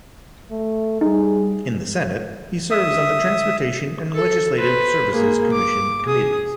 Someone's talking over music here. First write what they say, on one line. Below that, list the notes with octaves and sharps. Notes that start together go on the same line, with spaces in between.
In the Senate, he serves on the Transportation and Legislative Services Commission committees.
A3
G3 D#4 G#4
E5 D#6
A4
B4 C5
A#3 G#4
D6
G#4 D#6